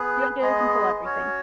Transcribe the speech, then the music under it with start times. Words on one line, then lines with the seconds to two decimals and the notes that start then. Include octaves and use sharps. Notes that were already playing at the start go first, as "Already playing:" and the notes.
you don't get to control everything.
Already playing: B3 G#4 B4
0.41 G#3 B3 G#4 D#5
1.04 C#4 F#4 C#5